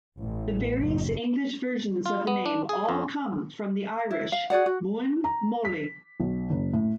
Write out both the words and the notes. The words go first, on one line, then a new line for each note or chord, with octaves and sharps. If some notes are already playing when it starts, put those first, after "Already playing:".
The various English versions of the name all come from the Irish, "Muine Moling".
A1
F#1
F4
B3
D4
G#4
F2
E4
F5
F#4 G#4 D5 F#5
F#4
A#5
B6
B1
F#1
A2